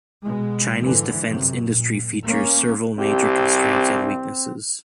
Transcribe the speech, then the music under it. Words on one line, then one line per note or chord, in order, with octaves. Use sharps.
Chinese defense industry features serval major constraints and weaknesses.
B2 G#3
G#2 D3 E3 F3
F#2 C3
A#2
A#3 C#4
C2 C4 G4